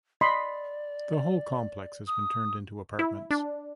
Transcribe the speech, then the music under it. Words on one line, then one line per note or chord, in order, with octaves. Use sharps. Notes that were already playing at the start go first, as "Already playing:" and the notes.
The whole complex has been turned into apartments.
D5 D#5 B5 C6
D#6
E4
D4